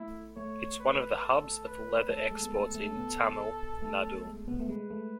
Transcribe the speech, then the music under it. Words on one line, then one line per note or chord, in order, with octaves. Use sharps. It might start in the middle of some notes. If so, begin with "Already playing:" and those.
It's one of the hubs of Leather exports in Tamil Nadu.
Already playing: A3 E4
A3 C#5
B4
A4
B4
A3 A4
G#3
B3
A3 A4
A3
C#4
B2 B3
A3
G#3
B2 B3
A3
G#3 B4
A3